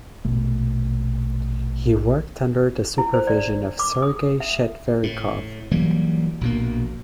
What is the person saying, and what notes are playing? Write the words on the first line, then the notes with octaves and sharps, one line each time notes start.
He worked under the supervision of Sergei Chetverikov.
A#1 B2 A3
E4
C5
D5
D6
D#6
E5
A2
E3 F#3 G3 A#3
A#1 B2 A#3